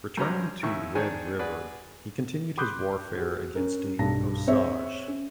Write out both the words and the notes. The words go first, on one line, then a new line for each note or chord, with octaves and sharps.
Returning to Red River he continued his warfare against the Osage.
G2 B2 C#4 C5 A#5 D6
D#2 D#3 E4 C#6
D#3 D4 G#4 C#5 G#5
F#4 G#4 B4 D5
B5 C6 D6 D#6 F#6 G6
F#4 G#4
C#4 A#4
B1 G2 A5 A#6
C4 G#4 C#5 E5
C#4